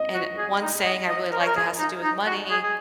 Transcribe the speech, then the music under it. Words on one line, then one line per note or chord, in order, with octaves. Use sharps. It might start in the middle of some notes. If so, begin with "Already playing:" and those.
and one saying I really like that has to do with money
Already playing: D#5
F#4
G#4
D#4
D#5
D#5
A#4
C#5
A#4
G#4
D#4
D#4
F#4
G#4
G#4